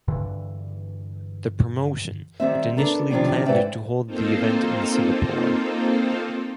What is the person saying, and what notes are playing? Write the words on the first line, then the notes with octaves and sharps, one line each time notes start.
The promotion had initially planned to hold the event in Singapore.
G2 D3 E3
D#3 G3 C4 E5
B3 D4 A4 A#4
C3 D#3 F3 C#4 D4 G4
G#2 B4 C5 D5 E5 G5
A#3 C4 D#4 F4 A4 C5